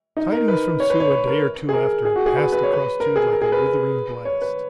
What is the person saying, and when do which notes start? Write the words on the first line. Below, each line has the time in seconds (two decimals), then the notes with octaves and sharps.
Tidings from Sue a day or two after passed across Jude like a withering blast.
0.17 D#4
0.32 A#4
0.48 B4
0.80 C#5
0.90 B4
1.00 C#5
1.11 B4
1.27 A#4
1.69 G#4
1.73 A#4
2.05 G#4
2.16 F#4
2.26 G#4
2.37 B4
2.53 B4
2.63 C#5
2.73 B4
3.00 A#4
3.16 G#4
3.32 A#4
3.42 G#4
3.52 B4
4.25 C#5
4.42 B4